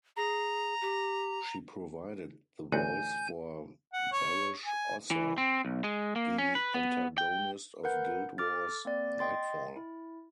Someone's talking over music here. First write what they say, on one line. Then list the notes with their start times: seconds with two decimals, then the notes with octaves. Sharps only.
She provided the voice for Varesh Ossa, the antagonist of Guild Wars' "Nightfall".
0.17 G#4 A#5
0.81 G4
2.72 A1 D2 F#5 G#5 G6
3.93 F#5
4.12 C#5
4.66 G#5
5.11 E3
5.38 C4
5.65 B1
5.84 G#3
6.16 A#3
6.38 C#4
6.55 B4
6.74 B3
7.18 G5
7.83 A#4 B4 F#5 G6
8.38 A4 D6 F6 A6
8.85 A#3 C4 D5
9.19 D#5 G5 C6 A6
9.76 E4